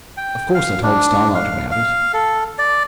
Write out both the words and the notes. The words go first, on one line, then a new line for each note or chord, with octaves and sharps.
Of course I told Starlight about it.
G5
F5
D4
F5
F5
A4
D5